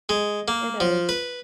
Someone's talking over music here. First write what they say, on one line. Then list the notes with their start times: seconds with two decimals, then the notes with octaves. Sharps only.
It is.
0.09 G#3
0.48 A#3
0.80 F3
1.09 B4